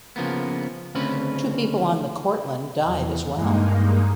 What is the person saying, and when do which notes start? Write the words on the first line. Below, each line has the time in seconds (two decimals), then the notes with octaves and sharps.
Two people on the "Cortland" died as well.
0.16 C#3 F3 A#3 B3
0.95 D2 C#3 C4 C#4 B4 B5
2.84 E2
3.32 G2 G#3 A#3 D#4